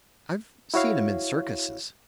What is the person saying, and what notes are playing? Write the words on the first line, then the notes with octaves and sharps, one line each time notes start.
"I've seen 'em--in circuses."
E4 F#4 C#5 F5